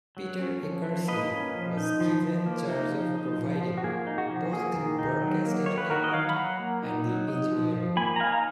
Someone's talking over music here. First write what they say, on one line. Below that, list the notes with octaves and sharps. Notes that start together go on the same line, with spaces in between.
Peter Eckersley was given charge of providing both the broadcast entertainment and the engineering.
F#3
C#4
F3
F3
A#3 B4 D#5
C#4
F3
D#4
F3
F3
A#3
D#4
F3
D#4
F3
F3
F#4
A#3 G#4
D#4
F#4
F3
A#3 G#4
D#3
D#4
F#3
A#3
D#3 C#5
B4
D#4 F#4 A#4
D#5
F#3 C#5 F5
B5
F#3 F#5 A#5
A#3
D#4
F#3
D#4
F3
F3
A#3 G#5 B5
A#5
D#4 F5 G#5
A#5